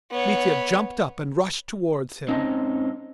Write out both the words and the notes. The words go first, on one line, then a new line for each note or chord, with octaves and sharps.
Mitya jumped up and rushed towards him.
B3 C#5
G#2 C4 C#4 D#4 D#5 A5